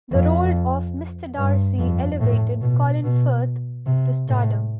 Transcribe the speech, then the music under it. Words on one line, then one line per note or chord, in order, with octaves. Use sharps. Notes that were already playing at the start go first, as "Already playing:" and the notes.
The role of Mr Darcy elevated Colin Firth to stardom.
F2
G2
F2
A2
B2
B2
C3
A2